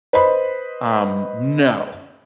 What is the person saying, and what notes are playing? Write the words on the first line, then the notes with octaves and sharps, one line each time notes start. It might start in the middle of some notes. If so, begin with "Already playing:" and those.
Um, no.
B4 C5 D#5 B5